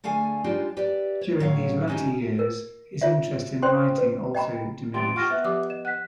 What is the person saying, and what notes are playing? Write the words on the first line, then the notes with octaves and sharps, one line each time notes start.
During these latter years, his interest in writing also diminished.
D3 A3 G#4 F5 G#5
G3 G#3 D4 D#4 F4 G4
G4 B4 D5 E5
C#5
A2 F#3 C#5 F5
G#3 C#4 D#4 G4 E5
A#4
F4 C#5 E5
C#4 C5 C#5 G5 C6
B4
D#5 G5 A#5 B5
B1 E3 G4 C6 A6 D7
F4 G4 C#6 F6 A#6
B3 E5
F3 G4 D6
D#5 E7
F#5 F#6 B6